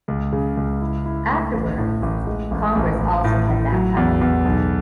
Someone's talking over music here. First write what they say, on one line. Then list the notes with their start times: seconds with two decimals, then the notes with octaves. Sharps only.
Afterwards, Congress also had that power.
0.08 C#2
0.33 C#3
0.57 C#2
0.81 E4
1.05 E4
1.30 A3
1.54 A1
1.78 A2
2.02 A1
2.27 G#3
2.51 A1
2.75 A1
2.99 A1
3.24 A2
3.48 A1
3.72 F#3
3.97 E2
4.21 E2
4.45 B1